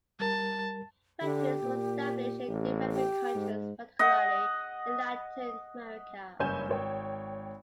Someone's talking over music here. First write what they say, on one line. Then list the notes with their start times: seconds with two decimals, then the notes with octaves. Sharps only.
Factories were established in developing countries, particularly in Latin America.
0.20 G3 A#4 A5
1.21 D3 G4
1.63 A#2
2.48 A1
2.92 G4
3.35 G#2
3.99 D#5 F#5
6.39 F#1 G2 C#5 G#5 G6 E7
6.69 G#1 C#5 G5